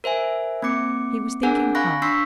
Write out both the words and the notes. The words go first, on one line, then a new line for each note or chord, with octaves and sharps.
He was thinking hard.
A#4 C5 E5 G#5
A#3 C4 D6 C#7
C4 D4 G#4 A#4 F#5 G#5
F5 G#5 B5 C#6 F#6 A#6
D4 C6 C#6 E6 B6 C7